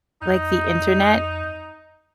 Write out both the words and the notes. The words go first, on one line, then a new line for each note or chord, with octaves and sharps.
like, the Internet
F2 D#4